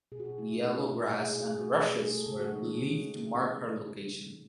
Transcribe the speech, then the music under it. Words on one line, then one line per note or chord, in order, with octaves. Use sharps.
Yellow grass and rushes were believed to mark her location.
B2 G#4
F#4
G#4
A3 E4
D#4
B2 E4
A3 E4
B2 G#4
G#4
F#4
A3 G#4
F#4
B2 G#4
G#4
A3 G#4
A4
C#3 G#4
F#4
E3 G#3 D#4
C#4
C#3 C#4